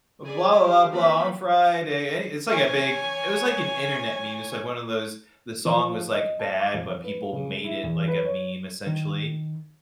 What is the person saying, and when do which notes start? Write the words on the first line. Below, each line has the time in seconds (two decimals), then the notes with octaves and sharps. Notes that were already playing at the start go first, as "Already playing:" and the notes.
Blah, blah, blah, blah. On Friday. Eh, it's like a big it was like an internet meme, it's like one of those, the song was, like, bad, but people made it like a meme essentially.
0.24 G#4 D5 G#5 B5
0.60 G4 F5
0.90 F3 A#3 C4 B4 B5
2.49 C#5 G#5
5.65 F3
6.13 D#5
6.39 A5
6.60 D6
6.74 F2
7.04 B4
7.33 C#3
7.47 G#3
7.64 E4
7.83 E2
8.08 B4
8.25 C#5
8.87 D#3